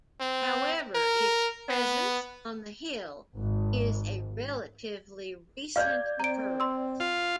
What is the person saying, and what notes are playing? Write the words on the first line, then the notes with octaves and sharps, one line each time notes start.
However, its presence on the hill is a relatively recent occurrence.
C4
A#4
B3
G#1
D5 F5 F6 G6 G#6
C4 A#5 D7
C6 E6
F4